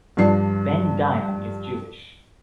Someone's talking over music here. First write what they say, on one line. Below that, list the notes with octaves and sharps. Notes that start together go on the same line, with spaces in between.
Ben Dayan is Jewish.
G2 F3 D4 C7